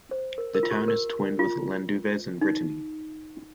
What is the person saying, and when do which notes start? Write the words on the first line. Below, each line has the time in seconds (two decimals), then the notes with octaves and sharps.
The town is twinned with Landunvez in Brittany.
0.11 C5
0.38 A#4
0.55 A#4
0.63 F4
0.71 G4
0.88 A#4
1.39 F4
2.41 D#4